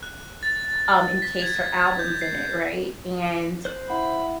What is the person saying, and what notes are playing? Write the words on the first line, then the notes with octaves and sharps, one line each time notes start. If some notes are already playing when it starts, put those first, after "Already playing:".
um, encased her albums in it, right? And,
F#6
A6
B6
G#6
G6
C7
C5 F#6
E4 F#5 B5